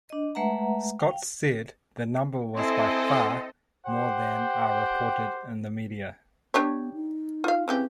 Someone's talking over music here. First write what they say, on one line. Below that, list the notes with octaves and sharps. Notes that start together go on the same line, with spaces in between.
Scott said the number was by far, more than are reported in the media.
D4 D#5
G#3 A3 B4 E5 F#5 A#5
F5 G5
C4 E4 A4 D#5 G#5 C6
G4 C5 F#5 G5
B3 D4 G4 C#5
D#4
F4 F5
C#3 E3 C4 G4